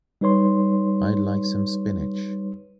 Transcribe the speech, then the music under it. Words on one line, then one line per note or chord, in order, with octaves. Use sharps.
I’d like some spinach.
G3 D#4 B4 C#5 C6